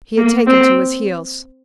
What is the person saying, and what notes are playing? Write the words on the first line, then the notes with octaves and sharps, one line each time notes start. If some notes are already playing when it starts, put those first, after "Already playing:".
He had taken to his heels.
A#3
C4